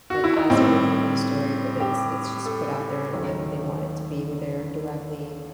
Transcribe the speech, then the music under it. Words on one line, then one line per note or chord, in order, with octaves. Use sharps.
like, as a regular news story, but, it's it's just put out there in a way that they want it to be, or they're directly
F#4
E4
D#4
A2 G3 C4
G4
A4
D#2 D#3 F#3